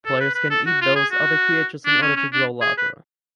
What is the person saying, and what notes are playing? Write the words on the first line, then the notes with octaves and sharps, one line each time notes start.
Players can eat these other creatures in order to grow larger.
A4
B4
B4
A4
F#4
F4
G#4
F#4
D4
C#4
C#4
D4
G#4
B4